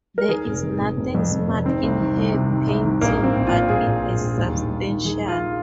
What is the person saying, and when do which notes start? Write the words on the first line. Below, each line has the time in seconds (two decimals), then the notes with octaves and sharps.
There is nothing smart in her painting, but it is substantial.
0.18 A#4
0.29 D#3 G#4
0.46 F1
0.63 D#3
0.80 F1
0.97 F1
1.14 F2
1.32 F2
1.48 F1
1.65 D#3 C4
1.83 C2
2.00 D#3
2.16 C2
2.34 C3
2.51 D#3
2.67 C2
2.84 D#3
3.01 A#1 A#3
3.19 A#1 C4
3.36 A#1
3.47 F4
3.52 A#2
3.69 A#1 G#4
3.87 A#2
4.03 A#2
4.20 A#1
4.38 D#2
4.55 D#3
4.71 D#3
4.89 D#3
5.05 D#3 G#4
5.22 D#3
5.28 F4